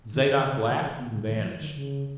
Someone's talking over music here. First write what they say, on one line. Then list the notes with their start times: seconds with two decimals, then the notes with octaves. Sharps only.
Zadok laughed and vanished.
0.13 D#3
0.37 D#3
0.51 C#3
0.67 D#3
0.78 D#3
0.82 C#3
0.99 B3
1.13 C#3
1.29 D#3
1.37 E3
1.45 F#3
1.61 D#3
1.75 C#3